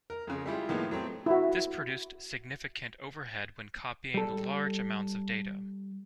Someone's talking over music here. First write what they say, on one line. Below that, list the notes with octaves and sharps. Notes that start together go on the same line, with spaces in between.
This produced significant overhead when copying large amounts of data.
A#4
F2 C#3
G3 G#3 E4 F4 G4
A2 D#3 F3 G#3 A#3 B3
F#3 A3 C4
E4 F#4
G3 A4